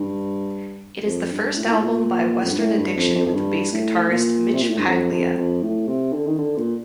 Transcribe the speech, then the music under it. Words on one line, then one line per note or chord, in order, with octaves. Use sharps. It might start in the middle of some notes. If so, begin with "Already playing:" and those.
It is the first album by Western Addiction with the bass guitarist Mitch Paglia.
Already playing: G2
F2
G2
A2
A#2
A2
A#2
F2
G2
A2
G2
F2
F2
F2
G2
A2
A#2
C3
A#2
A2
G2
F2
F2
F2
A2
C3
D3
D#3
D3
A#2